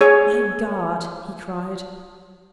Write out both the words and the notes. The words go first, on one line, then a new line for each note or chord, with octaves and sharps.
"By God!" he cried.
G#4 C#5